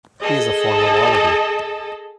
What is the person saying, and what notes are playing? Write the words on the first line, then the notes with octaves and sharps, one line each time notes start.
He is a former Wallaby.
G#4 A4 D#5